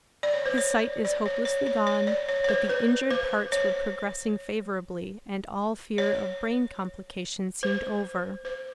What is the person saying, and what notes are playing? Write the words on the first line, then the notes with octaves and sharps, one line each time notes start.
His sight is hopelessly gone, but the injured parts were progressing favourably, and all fear of brain complications seemed over.
D5
C#5
C5
C#5
D5
C#5
C#5
C#5
C#5
D5
C#5
C#5
C5
B4
C5
C#5
C#5
C5
C5